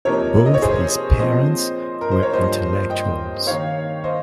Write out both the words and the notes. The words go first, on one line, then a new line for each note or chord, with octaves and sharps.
Both his parents were intellectuals.
C3 F3 A#3 D#4 A#4 C#5
D#5
C#5
G#4 C5
A#2 F3 C4 C5 D#5
A#4
C5
C#5
G2 F3 A#3 C5 D#5
D#5 G5
D#3 A#3 D#4 C#5 F5
C5 D#5